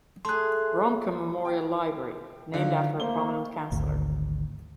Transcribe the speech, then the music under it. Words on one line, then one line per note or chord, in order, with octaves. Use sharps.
Romke Memorial Library, named after a prominent Councillor.
A3 G#4 C6 F#6
G5
D3 D#3 F3 F5
A3 A#3 C5 G7
G#1 D2